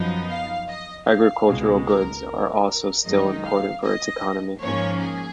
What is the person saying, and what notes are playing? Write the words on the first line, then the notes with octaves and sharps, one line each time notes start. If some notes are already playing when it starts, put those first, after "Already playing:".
Agricultural goods are also still important for its economy.
Already playing: F#2 F3 B3 D#4
F5
D#5
F5
C#2 B2 G#3
A#4
A#4
A#4
F#2 D#3 G#3 D#4 D#5
F5
D#5
G#2 F3 A#3 C#4 C#5
G#4